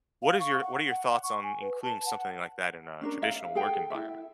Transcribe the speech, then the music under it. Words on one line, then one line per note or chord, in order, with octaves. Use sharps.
what is your what are your thoughts on including something like that in a traditional work environment?
F5
C#6
F#5
F#5
C#6
G#5
B4
A5
F#5
C#4 D4 A#4
E5 F5
G#4 A4 F#5 G5
E4 E5